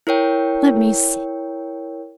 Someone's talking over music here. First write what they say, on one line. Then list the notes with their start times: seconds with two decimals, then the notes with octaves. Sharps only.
Let me see.
0.07 E4 A#4 C#5 G5